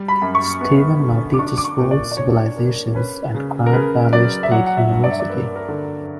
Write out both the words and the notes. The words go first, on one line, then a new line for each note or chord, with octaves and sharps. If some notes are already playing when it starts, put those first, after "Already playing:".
Steven now teaches World Civilizations at Grand Valley State University.
Already playing: G3
B5
F#2
C#6
B3
D3
D6
D4 C#6
D6
C#6
A#2
D5
D5
A#2 C#5
A#3
C#4 B4
C#3
A#4
C#3 B4
F#3 D5
E5
F#3 F#5
F#5
E5
G2
D5
E5
D5
A#3 B4
A#4
D3